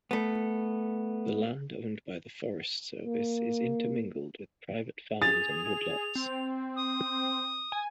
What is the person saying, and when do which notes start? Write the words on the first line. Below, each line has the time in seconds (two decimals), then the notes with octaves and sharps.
The land owned by the Forest Service is intermingled with private farms and woodlots.
0.11 A3 B3
3.06 A#3
5.22 G#4 A6 F7
6.15 C4
6.75 D#6
7.72 G#5